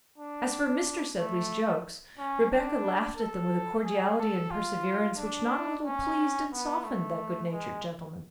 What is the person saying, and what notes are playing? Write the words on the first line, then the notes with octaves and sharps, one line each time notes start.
As for Mr. Sedley's jokes, Rebecca laughed at them with a cordiality and perseverance which not a little pleased and softened that good-natured gentleman.
D4
A3
C#4
D4
A4
G#4
A4
F4
D4
C#4
B3
A3
G#3